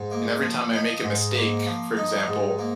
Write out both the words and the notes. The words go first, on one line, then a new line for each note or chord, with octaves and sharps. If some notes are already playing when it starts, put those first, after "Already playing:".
and every time I make a mistake, for example,
Already playing: G#2
A#3
F3
D#4
G#2
A#3
F3
D#4
G#2
A#3